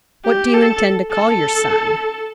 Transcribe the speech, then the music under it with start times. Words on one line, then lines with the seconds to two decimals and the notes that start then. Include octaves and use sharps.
"What do you intend to call your son?"
0.25 G4
0.54 A4
1.12 A4